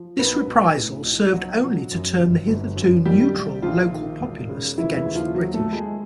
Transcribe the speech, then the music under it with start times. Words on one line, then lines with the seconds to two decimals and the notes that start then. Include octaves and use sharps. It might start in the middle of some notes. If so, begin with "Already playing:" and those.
This reprisal served only to turn the hitherto neutral local populace against the British.
Already playing: F3
0.19 B1 B3 B4
0.48 B1
0.76 A2
1.04 B1
1.33 B1 F#3 F#4
1.62 F3
1.91 F#2
2.19 G1
2.48 G1
2.76 F#2
3.06 D#3 G3 G4
3.34 A#1
3.62 A#1 F3 F4
3.91 D#3
4.20 E1
4.49 C#3
4.78 C#3 E3 E4
4.96 E3 E4
5.06 D#2
5.15 F3 F4
5.35 F3 F#3 F#4
5.54 A3 A4
5.63 F3
5.73 G#3 G#4